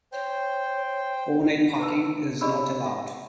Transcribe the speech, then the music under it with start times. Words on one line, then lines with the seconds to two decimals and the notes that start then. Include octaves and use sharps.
Overnight parking is not allowed.
0.13 C5 C#5 G5
1.80 B4 A5 E6
2.41 G4 G#4 D5 D#5 B5 E6
2.86 E5